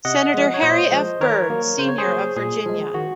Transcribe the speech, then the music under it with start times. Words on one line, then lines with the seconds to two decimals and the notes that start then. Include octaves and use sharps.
Senator Harry F. Byrd, Senior of Virginia.
0.05 C3 D#5 F#5
0.34 F3 G#3
0.54 C#5
0.62 A#2 C5 D#5
0.92 F3 G#3
1.20 D#3 A#4 C#5
1.50 F#3 A#3
1.79 C#3 C5
1.89 C#5
1.98 G#4 C5
2.08 F#3 A#3
2.37 A#2 G#4
2.66 F3 G#3
2.94 D#3 F#4